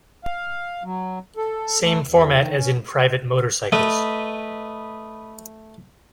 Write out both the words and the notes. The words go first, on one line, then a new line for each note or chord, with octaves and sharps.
Same format as in private motorcycles.
F5
F#3
A4
A3
E2
D#3
C#4
A3 B4 D#5